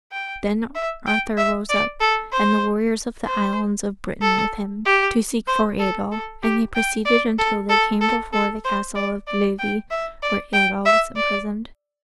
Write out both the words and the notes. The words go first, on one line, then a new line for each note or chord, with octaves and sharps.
Then Arthur rose up, and the warriors of the Islands of Britain with him, to seek for Eidoel; and they proceeded until they came before the castle of Glivi, where Eidoel was imprisoned.
G5
E5
G5
E5
D5
A4
C5
C5
A4
G4
C5
A4
A4
G4
G5
D5
A4
A4
A4
A4
C5
D5
D5
G5
E5
D5
G5
E5
D5